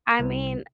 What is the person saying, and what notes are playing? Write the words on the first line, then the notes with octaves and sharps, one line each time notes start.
I mean,
C2